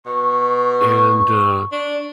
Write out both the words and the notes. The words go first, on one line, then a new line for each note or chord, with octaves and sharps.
and, uh
B2 C#6
D4